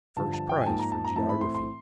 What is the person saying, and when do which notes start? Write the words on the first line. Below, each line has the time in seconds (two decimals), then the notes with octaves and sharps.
First Prize for Geography.
0.16 G2 D3 F3 A5
0.34 A5
0.49 G5
0.61 G#5
0.66 G#2 F3 A#3 A5
0.79 A#5
0.92 A5
1.04 A#5
1.16 A2 E3 A3 C4 A5
1.29 B5
1.41 C6
1.55 C6